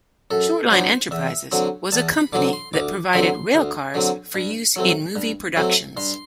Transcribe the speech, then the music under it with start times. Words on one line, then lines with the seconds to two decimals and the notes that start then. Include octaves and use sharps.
Short Line Enterprises was a company that provided railcars for use in movie productions.
0.31 F#2 A4
0.70 F#3 B3 D4 C5
1.11 E2 E5
1.52 D3 F#3 C4
1.92 E2 A5
2.13 B5
2.33 D3 F#3 C4 D6
2.53 C6
2.73 D2 D6
3.13 D3 F#3 C4 C6
3.54 D2
3.94 D3 F#3 C4
4.35 G2
4.76 F#3 A3 C4
5.16 G2
5.56 F#3 A3 C4
5.97 G2 C6